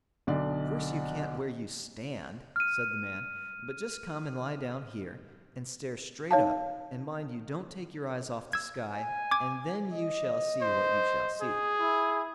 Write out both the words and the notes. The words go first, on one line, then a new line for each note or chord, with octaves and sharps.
'Of course you can't where you stand', said the man; 'but just come and lie down here, and stare straight up, and mind you don't take your eyes off the sky; and then you shall see what you shall see.'
B1 D3 D5 D#5
F6 D#7
D#4 C#5 F5 A5
E6 G#6
G#5
D6 G#6
D#5
C5
G#4
E4